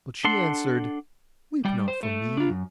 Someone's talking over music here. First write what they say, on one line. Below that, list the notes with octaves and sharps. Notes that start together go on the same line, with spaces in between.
But she answered, 'Weep not for me.
D4 A4 F#5 C6
G3 G5
C5
A3
D4 F4
F#2